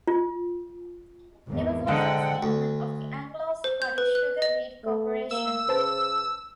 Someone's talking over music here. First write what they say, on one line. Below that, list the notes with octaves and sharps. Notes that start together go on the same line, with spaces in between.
He was also chairman of the Anglo-Scottish Sugar Beet Corporation.
F4
G#1 E2
G#2 D3 D#4 F#5 G5
D2
C5
G6
B4
F#6
D#5
A3
A#3 E6
C#3 B4 C5 A5